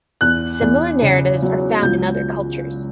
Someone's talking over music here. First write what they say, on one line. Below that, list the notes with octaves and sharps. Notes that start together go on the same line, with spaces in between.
Similar narratives are found in other cultures.
E2 F#6
E2
C#3
F#3
C#2 G6